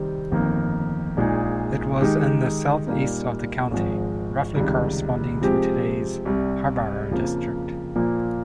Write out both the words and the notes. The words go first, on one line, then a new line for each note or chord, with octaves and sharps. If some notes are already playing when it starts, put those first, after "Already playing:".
It was in the south-east of the county, roughly corresponding to today's Harborough district.
Already playing: C3 D#3 G3 C4 G4
G1 F2 D#3 A#3
A#1 A#2 G#3 D#4 G#4
D#3 G#3 D#4 G4
A#2 G3 A#3 D#4
G#1 G#2 F3 G#3
C#2 C3 D#3 G3
C3 F3 G#3 C4 G4
C2 C3 G3
F2 C#3 F3 A#3
A#2 F3 A#3